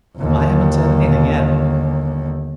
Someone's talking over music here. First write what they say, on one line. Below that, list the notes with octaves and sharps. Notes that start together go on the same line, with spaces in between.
"I haven't said anything yet."
G1 D#2